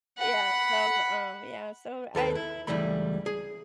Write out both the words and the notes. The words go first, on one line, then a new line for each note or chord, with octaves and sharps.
Yeah, so, um, yeah, so, I'd
F#5 B5
D#2 A4 B4 B5
E4
C#2 C3 E3 G3 A3 B5
G#4